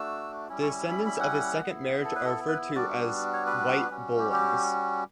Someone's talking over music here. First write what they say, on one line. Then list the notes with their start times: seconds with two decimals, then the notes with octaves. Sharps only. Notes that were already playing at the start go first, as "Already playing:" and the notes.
The descendants of his second marriage are referred to as "White Bollings".
Already playing: A3 D4 F#4 E6
0.49 G3 C#4 E4
0.62 C#6
0.91 B5
1.06 B5
1.20 F#5
1.63 B3 E4
2.04 A4
2.15 B4
2.25 A4
2.48 B4
2.75 G3 B3 D4 F#4 D5
3.33 C#5
3.46 B4
3.90 G3 C#4 F#4
4.19 G4
4.33 G4